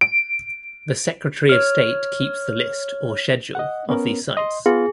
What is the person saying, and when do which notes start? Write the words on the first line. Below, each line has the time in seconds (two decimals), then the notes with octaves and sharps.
The Secretary of State keeps the list, or schedule, of these sites.
0.01 D7
1.49 C#5 F6
3.55 D#5 F#5
3.89 B3 C#4 A#4
4.37 D#5 C6
4.66 B3 F4 G#4